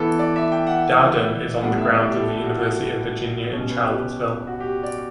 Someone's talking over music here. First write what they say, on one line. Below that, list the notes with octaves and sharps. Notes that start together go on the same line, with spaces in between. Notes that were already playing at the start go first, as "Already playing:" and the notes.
Darden is on the grounds of the University of Virginia in Charlottesville.
Already playing: E3 B3 E4 A4
D5
E5
G5
F#5
A2 G3 B3 D4 F#5
E5
D5
G4
A4
G4
F#4
F#4
B2 G3 C#4 C#5
B4
G4
F#4
G4
D5